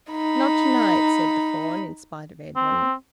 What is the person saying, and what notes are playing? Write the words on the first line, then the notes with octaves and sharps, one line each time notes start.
"Not to-night," said the fawn, in spite of Edwin.
D#4 B5
C4